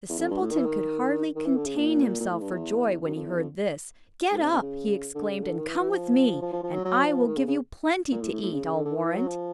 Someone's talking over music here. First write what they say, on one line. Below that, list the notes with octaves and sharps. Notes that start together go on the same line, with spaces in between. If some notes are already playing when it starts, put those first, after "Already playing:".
The simpleton could hardly contain himself for joy when he heard this. "Get up," he exclaimed, "and come with me, and I will give you plenty to eat, I'll warrant."
E2
F2
G2
A2
D#3
E3
D#3
D#3
E3
D3
C#3
A#2
A#2
A2
G2
E2
F#2
F2
E2
F2
G#2
C3
C3
C#3
D3
C#3
D3
D#3
E3
E3
F3
F3
F3
F3
F#3
F#3
F3
D#3
C#3
C#3
A#2
A2
A2
A2
C#3
C#3
D3
D3
D#3
E3
F#3
F3